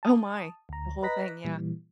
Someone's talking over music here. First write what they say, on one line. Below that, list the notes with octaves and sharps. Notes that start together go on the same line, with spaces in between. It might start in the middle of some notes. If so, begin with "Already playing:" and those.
Oh my. The whole thing, yeah.
A5 D#6
D2 A#5
B4 D#5 A#5 F#6 A#6 B6
A#2 E3 G3